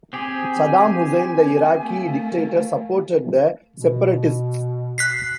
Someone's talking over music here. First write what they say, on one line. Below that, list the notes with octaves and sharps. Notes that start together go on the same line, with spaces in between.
Saddam Hussein, the Iraqi dictator, supported the separatists.
C4 G4 G#4 G#5
A3 A#3
B2
F#6 B6 C7